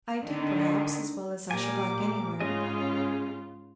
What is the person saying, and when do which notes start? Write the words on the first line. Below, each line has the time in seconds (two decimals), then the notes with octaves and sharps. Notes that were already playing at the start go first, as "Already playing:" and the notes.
I do, perhaps, as well as I should like anywhere.
0.22 D3 D#3
1.51 A#2 G3 A#4 G#5 D6
2.40 G#2 C#3 C#4 F4 G#4 D#5